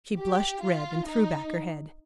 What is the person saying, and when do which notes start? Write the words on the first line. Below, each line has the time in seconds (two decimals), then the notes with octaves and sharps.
She blushed red and threw back her head.
0.19 G4
0.63 F4
1.06 D#4